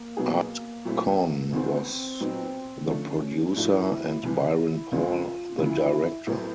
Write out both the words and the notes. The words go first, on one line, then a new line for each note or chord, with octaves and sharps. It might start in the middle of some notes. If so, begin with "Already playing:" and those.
Art Cohn was the producer and Byron Paul the director.
Already playing: A#3
B2 F#3 B3 D#4 G#4
A#2 F#3 A3 C4 E4
C#2 C3 D#3 G#3 B3 C4
C4
A#2 F#3 B3 D#4
D3 F3 A3 C#4 D4
G#2 F3 A3 D4 E4 F#4
C2 C3 E3
E4
C#2 C#3 F3 G#3 F4
D2 C#3 F3 E4
A2 F#3 B3 E4